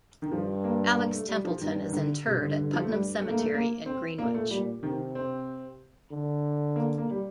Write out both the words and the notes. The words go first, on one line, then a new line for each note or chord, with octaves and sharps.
Alex Templeton is interred at Putnam Cemetery in Greenwich.
D#3
G2 F3
A#3
A#3
A3
G3
F3
G2 D#3
D#3
D3
G2 C3
D3
D3
F3
A3
G3
A3
A#3
A3
A#3
C4
A#2 A#3
A3
A#2 G3
C3 D#3
C4
D3
A#3
A#3
G3